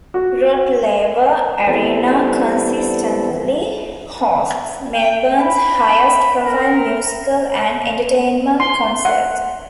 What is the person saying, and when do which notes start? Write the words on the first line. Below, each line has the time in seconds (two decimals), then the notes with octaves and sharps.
Rod Laver Arena consistently hosts Melbourne's highest-profile musical and entertainment concerts.
0.14 F#4
1.67 E3 G3 B3 C4 A4
4.95 G5
5.39 B5
6.44 A#4
8.60 C6
9.05 F#5